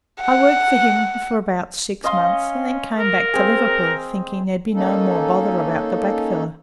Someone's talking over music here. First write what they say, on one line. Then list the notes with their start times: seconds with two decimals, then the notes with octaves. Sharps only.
I worked for him for about six months, and then come back to Liverpool, thinking there'd be no more bother about the blackfellow.
0.21 F#5
2.04 C#4 D#5 F5 C6
2.98 A#4
3.34 C4 G#4
4.74 A#3 C#4 D#4 A4